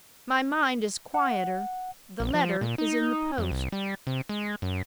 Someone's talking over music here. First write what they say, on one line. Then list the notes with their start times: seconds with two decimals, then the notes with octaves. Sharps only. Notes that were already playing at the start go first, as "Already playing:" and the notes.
My mind is quieter--the letter is in the post.
1.14 F#5
2.20 A#1
2.34 F3
2.61 A#2
2.78 D#4
3.38 F2
3.52 C2
3.72 G3
4.07 C3
4.29 G#3
4.62 F#2